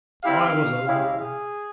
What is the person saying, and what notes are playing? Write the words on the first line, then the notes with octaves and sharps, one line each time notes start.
I was alone.
G3 C4 E4 G4 F5
G#3 C#4 E4 G4 F5
G#4